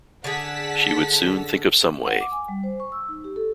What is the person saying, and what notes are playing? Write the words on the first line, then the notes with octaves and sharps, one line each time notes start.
She would soon think of some way.
D3 D4 G#4 F#5 A5 B6
F#5
D6
G#5
G3
C5
C#6
E6
D#4
G4
A4